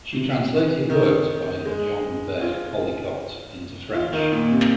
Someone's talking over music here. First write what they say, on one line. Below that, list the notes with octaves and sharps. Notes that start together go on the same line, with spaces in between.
She translated works by John Baird Callicott into French.
C3
D#3
G#3
F4
F4
D#3
A#2
C3